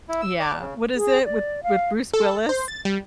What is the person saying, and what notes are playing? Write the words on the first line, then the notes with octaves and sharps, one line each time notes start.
yeah. What is it? With with Bruce Willis?
E4
E6
D5
C#3
G#4
D5
F5
A4
C5
A6
G3